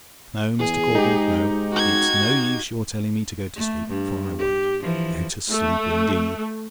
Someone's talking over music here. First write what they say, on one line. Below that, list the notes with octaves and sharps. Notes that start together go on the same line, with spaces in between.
No, Mr. Caudle, no; it's no use your telling me to go to sleep, for I won't. Go to sleep, indeed!
E2 G#4
G#2 D#4 G4
F#4 G#6
A3
G2
G4
E3 F3
A3